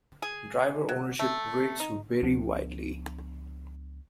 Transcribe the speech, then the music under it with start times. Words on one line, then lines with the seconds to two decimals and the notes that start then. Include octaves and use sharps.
Driver-ownership rates vary widely.
0.22 G#4
0.89 F#3
1.19 A3
1.80 D#4
2.23 C#2 F3 B3 D4